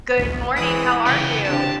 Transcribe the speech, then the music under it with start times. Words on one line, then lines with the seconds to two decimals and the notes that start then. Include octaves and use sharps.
Good morning. How are you?
0.18 A1 D2
0.56 E3 G#3 E4 B4 D#6
1.06 C#3 B3 G4
1.45 C4 D4 G4 A5